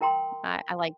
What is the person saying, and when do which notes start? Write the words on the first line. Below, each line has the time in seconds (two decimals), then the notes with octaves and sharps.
I I like
0.01 E4 A#4 G5 A#5 C6 D#6